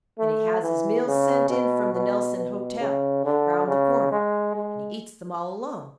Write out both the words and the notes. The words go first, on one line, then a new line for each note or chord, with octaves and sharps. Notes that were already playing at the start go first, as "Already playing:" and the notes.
Then he has his meals sent in from the Nelson Hotel round the corner, and eats them all alone.
A3
E3
C#3
B2
B2
B2
C#3
D3
C#3
G#3
G#3